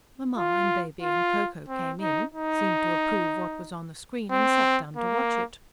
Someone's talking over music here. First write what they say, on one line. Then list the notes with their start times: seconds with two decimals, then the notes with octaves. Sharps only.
Mamma and Baby and Ko-Ko came in, seemed to approve what was on the screen and sat down to watch it.
0.37 F4
1.02 F4
1.68 C4
2.01 D#4
2.34 D#4
4.31 C4
4.97 A#3